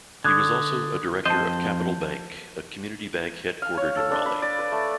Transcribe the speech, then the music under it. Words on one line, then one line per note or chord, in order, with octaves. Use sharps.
He was also a director of Capital Bank, a community bank headquartered in Raleigh.
D3 D#6 F#6 G#6
F2 C5 D#5 A5 G6
F5
C#5
A4
D4
B5
D5
B4
A3